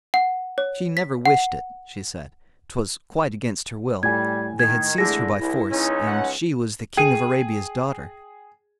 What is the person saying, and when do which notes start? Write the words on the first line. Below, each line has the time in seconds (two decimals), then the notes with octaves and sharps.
She never wished it, she said; 'twas quite against her will. They had seized her by force, and she was the King of Arabia's daughter.
0.14 F#5
0.58 C#5
0.97 B6
1.26 F#5
4.03 A2 G3 G#5 G#6
4.60 D#3 G#6
4.98 E2 D3 G#3 A3 E4 G#4 A#6
5.40 C2 E4
5.70 C#2 C#4 D#4
6.07 F#5
6.97 G#4 G5 D#7